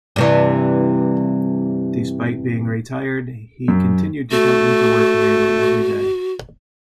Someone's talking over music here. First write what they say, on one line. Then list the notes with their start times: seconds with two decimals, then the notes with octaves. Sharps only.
Despite being retired, he continued to come into work nearly every day.
0.16 G2 C3 E3
3.68 F#2
4.31 A3 F#4